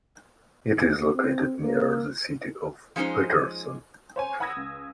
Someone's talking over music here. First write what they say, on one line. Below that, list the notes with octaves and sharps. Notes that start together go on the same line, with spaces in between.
It is located near the city of Paterson.
D2
C4
A#3
F3 G#3 C#4 D#4 C5
C5 C#5 G#5
F#5 B5 D#6 E6 G#6 A#6
C#2